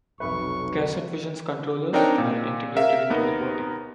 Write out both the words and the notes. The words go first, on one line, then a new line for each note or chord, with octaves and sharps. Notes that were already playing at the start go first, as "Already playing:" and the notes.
Cassette Vision's controllers are integrated into the body.
F1 B1 B4 C#6
C4 D4 D#4 A#4 C#5 G5
A#2
A#4 E5 F5
D#2 B3 D#4 A#4